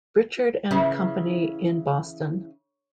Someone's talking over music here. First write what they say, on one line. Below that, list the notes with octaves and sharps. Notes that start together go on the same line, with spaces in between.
Birchard and Company in Boston.
C#3 E3 E4